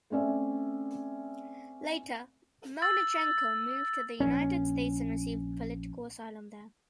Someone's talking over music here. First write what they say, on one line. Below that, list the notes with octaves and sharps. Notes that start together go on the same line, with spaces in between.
Later, Melnychenko moved to the United States and received political asylum there.
A3 C4 C#4 D5 E5
E6 A6
A#1 C#4